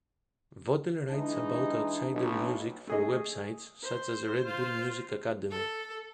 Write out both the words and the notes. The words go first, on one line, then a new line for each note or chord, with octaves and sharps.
Votel writes about outsider music for websites such as Red Bull Music Academy.
E3 G#3 D4 D#4
B1
A3 G#4 D#5
C5
F4
A4